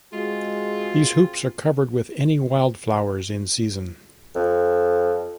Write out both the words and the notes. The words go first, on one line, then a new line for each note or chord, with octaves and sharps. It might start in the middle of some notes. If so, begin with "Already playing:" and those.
These hoops are covered with any wildflowers in season.
G#3 C4 F4 F#4 G#4
F2